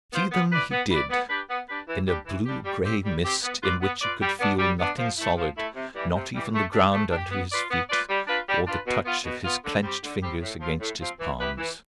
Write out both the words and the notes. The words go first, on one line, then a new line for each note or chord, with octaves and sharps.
See them he did, in a blue-gray mist in which he could feel nothing solid, not even the ground under his feet or the touch of his clenched fingers against his palms.
B3 F4 C5
B3
E4 B4 D5
B3
E4 B4 D5
B3
D4 G4 B4
B3
D4 G4 B4
E3
G3 D4 G4
E3
G3 D4 G4
G3
C4 G4
G3
C4 G4
B3
F4 B4 D5
B3
F4 B4 D5
G3
B3 D4
G3
B3 D4
F3
A3 E4
F3
A3 E4
C3
E3 G3
C3
E3 G3
A3
D4 G4
A3
D4
G4
B3
F4 B4 D5
B3
F4 B4 D5
G3
D4 F4 B4
G3
D4 F4 B4
B2
B3 F4
B2
B3 F4
D3
G3 C4 G4
D3
G3 C4 G4
A2
F3 C4 F4
A2
F3 C4 F4
E3
B3 E4 G4 B4
E3